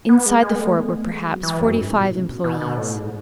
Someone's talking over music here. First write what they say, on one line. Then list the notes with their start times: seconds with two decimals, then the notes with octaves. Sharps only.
Inside the fort were perhaps forty-five employees.
0.09 B3
0.26 G#3
0.42 G#3
0.55 B3
0.59 A3
0.77 B3
0.93 A3
1.10 G#3
1.27 F#3
1.43 E3
1.60 F#2
1.78 G#2
1.94 B2
2.11 A2
2.20 C#3
2.27 B2
2.44 B2
2.61 B2
2.77 A2
2.94 G#2